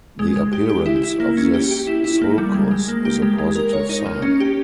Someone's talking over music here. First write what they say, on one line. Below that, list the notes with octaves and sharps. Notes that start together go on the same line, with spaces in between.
The appearance of this sulcus is a positive sign.
G#3
G#3
G4
G4
E4
E4
A#3
C#4
G4
G4
E4
E4
A#3
G3
G#3
G#3
A#3
G4
G#3
G#3
A#4
C#5
D#4
A#3
C#4
G4